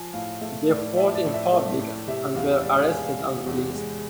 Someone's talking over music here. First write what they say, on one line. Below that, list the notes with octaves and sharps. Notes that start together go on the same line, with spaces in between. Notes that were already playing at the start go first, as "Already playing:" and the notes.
They fought in public and were arrested and released.
Already playing: F3 G#5
A2 F5
A3 E5
A2 D5
F3 E5
D5
A2
E5
A3
A2
C3 E5
E2 F5
G#3 D5
F5
E2 G#5
F5
C3
E2
G#3